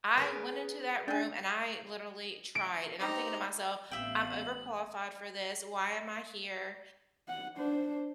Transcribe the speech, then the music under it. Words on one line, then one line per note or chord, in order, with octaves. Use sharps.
I went into that room, and I literally tried, and I'm thinking to myself, "I'm overqualified for this. Why am I here?"
B3 G#4 A#4 B4
D4 G#4 G5 G6 A6
D7
C4 D#4 G4
A1 B3 C4 E5 F5 G5 F#7
F#5
D4 C5